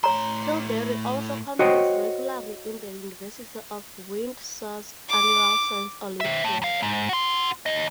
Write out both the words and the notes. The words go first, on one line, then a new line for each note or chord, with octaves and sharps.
Tilbury also competes regularly in the University of Windsor's annual Science Olympiad.
A2 C#5 A#5 C6
F#4 C5 C#5 D#5 G5
D6
D#3 E5
A2
E2 F5
G#2
F#4 C6
D#2 D#5